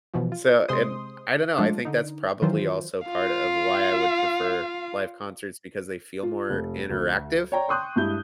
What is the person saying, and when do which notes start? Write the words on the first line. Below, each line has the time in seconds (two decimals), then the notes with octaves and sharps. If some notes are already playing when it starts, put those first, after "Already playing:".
So, and I don't know, I think that's probably also part of why I would prefer live concerts, because they feel more interactive.
0.13 B2 E3 F3
0.32 F4
0.68 C3 G#3 C5 C6 D#6
1.58 F3 G#3 A3 D4 F4
1.85 D3 D#4
2.42 D#3 E3 F#3 F4 C5
3.07 F4 F5
6.23 F4
6.50 F1
6.89 D2
7.52 C#5 D5 G5 A#5
7.68 G5 C6 C#6 D#6 F#6 G6
7.96 G2 G#3 E4 G6 G7